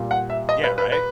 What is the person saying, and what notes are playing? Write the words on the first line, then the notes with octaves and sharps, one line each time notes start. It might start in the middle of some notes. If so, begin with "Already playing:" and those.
Yeah, right?
Already playing: A#2 G3
F#5
E5
D#5
B4
B4
B4